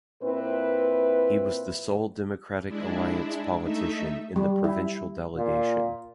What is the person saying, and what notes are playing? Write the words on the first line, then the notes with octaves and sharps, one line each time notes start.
He was the sole Democratic Alliance politician in the provincial delegation.
A#2 C4 E4 B4
G#3 D4 E4
A3 D#4 E5
G3
E4
A#2